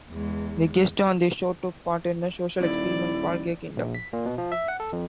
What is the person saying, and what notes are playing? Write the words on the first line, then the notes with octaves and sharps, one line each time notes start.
The guests on the show took part in a social experiment called Gay Kingdom.
E2 G#3
D#1 E4 D5
A#1
B6
A#2
B2
F3
E5
F#5
A4
F2